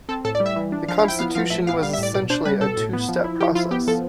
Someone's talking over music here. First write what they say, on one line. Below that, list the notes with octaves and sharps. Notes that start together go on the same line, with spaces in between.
The constitution was essentially a two-step process.
C4 A4
A2 A4
D5
G3
E5
E3
D4
F3 F5
F5
E4 G5
B3 F5
F3 F5
A2 E5
B3 F5
G3 F5
E5
A2 D5
B2 D5
D4 C5
G3 B4
B2 A4
A2
B3
F3
E4
F3 G4
E4 F4
B3 G4
F3 A4